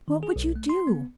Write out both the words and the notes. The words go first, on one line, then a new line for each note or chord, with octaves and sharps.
What would you do?'
D#3
G#4
B1
A3
C6
B3